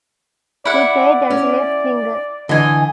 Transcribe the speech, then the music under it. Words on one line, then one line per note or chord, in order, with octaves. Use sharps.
He played as a left winger.
E4 D5 F#5
C#4
D3 E3 D#5 G#5